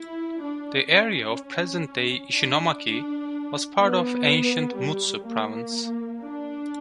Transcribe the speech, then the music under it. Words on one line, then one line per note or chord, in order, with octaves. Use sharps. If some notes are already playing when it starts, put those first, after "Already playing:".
The area of present-day Ishinomaki was part of ancient Mutsu Province.
Already playing: E4
D4
C#4
D4
B3
G3
A#3
D4